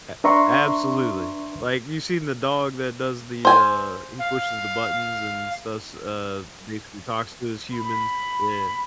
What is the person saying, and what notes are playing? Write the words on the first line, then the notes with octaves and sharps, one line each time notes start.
A absolutely. Like, you've seen the dog that does the, uh, he pushes the buttons and stuffs, uh, basically talks to his humans, yeah.
D4 B4 E5 A#5 C6 C#6
C5 G#5
F5
B5